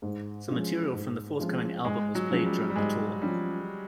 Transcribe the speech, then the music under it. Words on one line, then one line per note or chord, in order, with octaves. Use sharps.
Some material from the forthcoming album was played during the tour.
G#2
F3 G#3 C#4 F4
G#2
F3 G#3 C#4 F4
G#2 G#3
F#3
F3 G#3 C#4 F4
G3
G3
G#2 G#3
F3 G3 G#3 C#4 F4